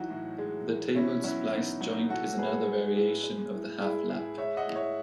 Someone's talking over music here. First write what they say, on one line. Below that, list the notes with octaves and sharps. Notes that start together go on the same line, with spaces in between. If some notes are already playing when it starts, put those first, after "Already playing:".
The tabled splice joint is another variation of the half lap.
Already playing: E3 F#3 D#4 F#4
A2
G#3
E3
B2 C#4 E4
F#3 C#4 E4
B2 D#4
F#3
D#4
A2 F#4 A4
G#3 G#4 B4
G#3
A2
G#3
A2
G#3 E4 G#4
A2 E4 G#4
G#3 C#5 E5
D#5 F#5
A2
C#5 E5